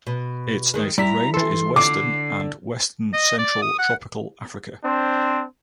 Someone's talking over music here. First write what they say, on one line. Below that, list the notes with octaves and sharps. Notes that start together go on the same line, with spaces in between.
Its native range is western and western central Tropical Africa.
B2
D#3 G#3
G3 E4 A#5 B6
E3 A4 C6
D3 D6 C7
D#5
D5
D#6
F#5
C4 D4 C5